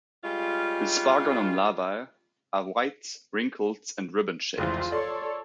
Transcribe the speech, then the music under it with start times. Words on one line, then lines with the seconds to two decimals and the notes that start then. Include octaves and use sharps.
The sparganum larvae are white, wrinkled, and ribbon-shaped.
0.23 G3 G#3 C#4 F4
4.57 F1 C#2 E3 F4 C5
4.92 A4 C#5 D5 C6